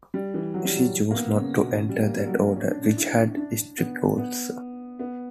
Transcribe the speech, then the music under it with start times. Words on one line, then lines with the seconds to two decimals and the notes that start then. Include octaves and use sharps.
She chose not to enter that order, which had strict rules.
0.14 G3
0.34 E3
0.54 F#3
0.65 G3
0.76 F#3
1.11 A#3
1.15 B3
1.35 C#3
1.55 B2
1.75 C#3
1.89 G3
2.02 A#3
2.16 G3
2.26 F#3
2.37 G3
2.46 A#3
2.56 C#4
2.70 D4
2.83 D4
2.97 E4
3.37 D4
3.78 B3
4.18 B3
4.99 B3